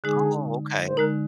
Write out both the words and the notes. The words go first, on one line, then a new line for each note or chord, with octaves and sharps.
Oh, okay.
D3 G#3 D#4 G#4
C5
D3 G#3 D#4 A#4